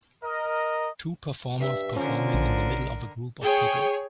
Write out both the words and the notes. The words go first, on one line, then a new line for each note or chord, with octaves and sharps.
Two performers performing in the middle of a group of people.
A#4 D#5
G2 E5
D3 F3 C#4 A#4
A#1
G#4 C#5 G5